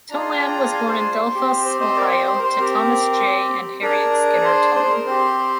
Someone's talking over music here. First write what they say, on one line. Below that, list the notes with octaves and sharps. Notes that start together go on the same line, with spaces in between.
Tolan was born in Delphos, Ohio to Thomas J. and Harriet Skinner Tolan.
D4 F4 G#4 A#5
C6
G5 A#5
F5 G#5
C5
C4 G4
C5
C5 D#5
A#4 D5
C5
C5
A#4
C5
C4 G4 A#4
D4 G#4 A#4
A#4
C5
C5
A#4
C4 G4 C5